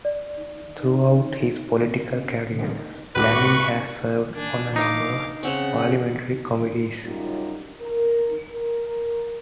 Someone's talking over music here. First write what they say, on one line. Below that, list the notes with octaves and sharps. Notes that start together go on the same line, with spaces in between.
Throughout his political career, Laming has served on a number of parliamentary committees.
D5
C#2 F#4 B4 C#6 D6
D4 G#5
D4 D#4 F5 D6
C#3 C4 C#4 F#5
F#2 C#3 G3 D#4 F4
A#4
A#4